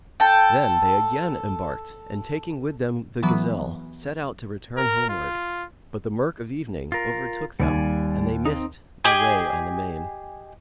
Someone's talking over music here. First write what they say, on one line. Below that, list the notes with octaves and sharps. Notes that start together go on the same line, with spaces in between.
Then they again embarked and taking with them the gazelle, set out to return homeward, but the murk of evening overtook them and they missed their way on the main.
A4 G5
E3 F#3 B3 B5
A#4
F4
F4 A#4
D#2 G3 D5 G#5
C4 D#4
G4 G#4 D#5 G#5